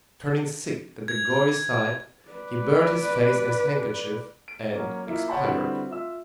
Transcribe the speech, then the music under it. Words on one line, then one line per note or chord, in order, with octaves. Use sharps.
Turning sick at the gory sight, he buried his face in his handkerchief and expired.
G#6
B4 D5
D7
F#3 A#3 C#4
A#3 E4 F4 E5
C#5 F#5 G5 A5 B5 C6
D3 G3 C4 E4 F#4 B4
F4 E5 E6